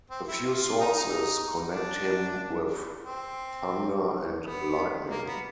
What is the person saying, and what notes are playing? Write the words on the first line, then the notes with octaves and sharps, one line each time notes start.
A few sources connect him with thunder and lightning.
C4
E4
F4
F4
D#4
D#4
D4
C4
B3
A#3
B3